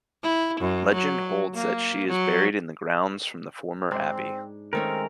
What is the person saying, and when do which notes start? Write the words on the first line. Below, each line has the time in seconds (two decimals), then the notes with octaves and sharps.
Legend holds that she is buried in the grounds of the former Abbey.
0.23 E4
0.60 F#2
0.94 F#3
1.54 A#3
2.08 F#3
3.91 G#2 G#3 C4 D4
4.73 D#3 G#3 A3 C4 C#4 A#4